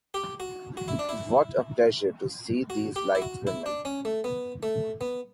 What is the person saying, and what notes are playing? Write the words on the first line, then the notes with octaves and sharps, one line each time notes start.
What a pleasure to see these light women...
G4
F#4
F#4
E4
D4
E4
F#4
G4
E4
F#4
E4
D4
C#4
A3
B3
A3
B3